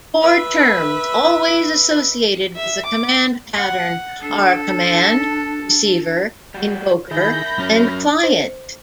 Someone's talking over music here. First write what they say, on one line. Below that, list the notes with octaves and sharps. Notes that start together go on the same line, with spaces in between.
Four terms always associated with the command pattern are "command", "receiver", "invoker" and "client".
B4 E5
E5
D6
F#5
D4 A4
G3 F#4 G5
D#3 E4 G#4 A#4 E5 B5 G6 A#6
F#3 C#4 F6
C5